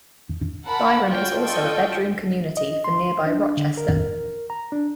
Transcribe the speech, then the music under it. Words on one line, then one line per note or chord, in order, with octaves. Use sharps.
Byron is also a bedroom community for nearby Rochester.
A#4 F#5 A5 B5
F4 F#4 C#5 D5 G5
F4 A4 D5 D#5 G5 C#6
D#5
C6
D4
D3
A#4
A#5
D4